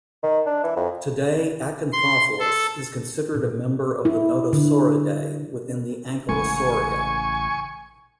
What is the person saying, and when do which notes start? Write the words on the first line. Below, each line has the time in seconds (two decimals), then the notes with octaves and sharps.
Today "Acanthopholis" is considered a member of the Nodosauridae within the Ankylosauria.
0.23 D#3
0.46 D4
0.63 E3
0.76 F2
1.93 C6
2.39 A4
3.35 A#2
4.05 E4
4.53 D3
6.29 A1 C#3 G#3 G#5 C#6